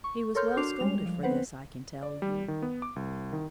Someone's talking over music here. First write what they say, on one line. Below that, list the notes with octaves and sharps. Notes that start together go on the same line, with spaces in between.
He was well scolded for this, I can tell you.
C#6
A4 A#4 C#5 C6 F6 G6
D4 F#4 D6 C7 F7
G3 G#3 F7
F3
B3 C4 B4 C5 F#5
D5
G3
D#3
B3
D6
C2
D#3